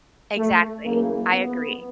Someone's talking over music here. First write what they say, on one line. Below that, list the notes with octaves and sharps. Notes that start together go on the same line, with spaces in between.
Exactly. I agree.
A3
F#2 C#3 E3 A#3
B3